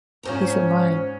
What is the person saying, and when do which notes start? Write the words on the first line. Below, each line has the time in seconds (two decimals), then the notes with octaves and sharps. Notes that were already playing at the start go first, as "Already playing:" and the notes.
Peace of mind.
0.23 G#2 F3 C#4 C5 A#5